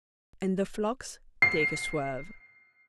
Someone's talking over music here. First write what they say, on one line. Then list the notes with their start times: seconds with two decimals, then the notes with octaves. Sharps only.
And the flocks take a swerve.
1.42 C7